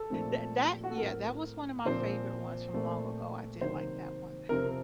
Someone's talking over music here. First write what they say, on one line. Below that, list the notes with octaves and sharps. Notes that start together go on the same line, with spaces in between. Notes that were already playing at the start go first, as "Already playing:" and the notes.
that that yeah, that was one of my favorite ones from long ago, I did like that one.
Already playing: A4
A#2 F3 A3 C4
F#4
A4
A2 A3 C4 A#4
A#2 F3 C4 C5
A#2 A3 C4
C3 D#3 F#3 A#3 C5
F2 C3 F3 C4 A#4